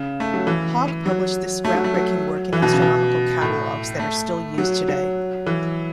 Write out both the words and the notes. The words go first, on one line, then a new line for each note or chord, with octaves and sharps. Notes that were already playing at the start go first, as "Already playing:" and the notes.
Hogg published this groundbreaking work in astronomical catalogues that are still used today.
Already playing: C#3
A3
F#3
E3
F#3
A3
F#3
A3
F#3
E3
B2
C#3
B2
A2
A3
F#3
F#3
E3